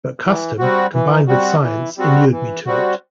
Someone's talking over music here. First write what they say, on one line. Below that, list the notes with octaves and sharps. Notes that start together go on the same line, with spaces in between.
But custom, combined with science inured me to it.
E3
G3 C4 F#4
E3
G3 C4 F#4
E3
G3 C4 F#4
E3
G3 C4 F#4